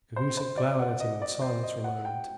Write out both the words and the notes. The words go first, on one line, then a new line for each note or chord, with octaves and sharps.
Cahusac glowered at him in silence for a moment.
C5
C5
D5
F#5
D#5
D5
C5
D#5
F#5
G5